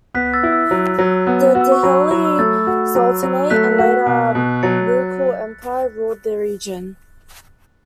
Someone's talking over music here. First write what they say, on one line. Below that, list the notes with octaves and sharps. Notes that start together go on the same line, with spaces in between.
The Delhi Sultanate and later Mughal Empire ruled the region.
B3 F#6 B6
E6 A6
E4
E6
F#3
F#3
B3
F#4
E6
C#6
F#3 B5
F#3 B5
E6
A3 E6 A6
F#4
F#3
F#3
A3 F#6 B6
F#4
B2
B2
F#3 A6 C#7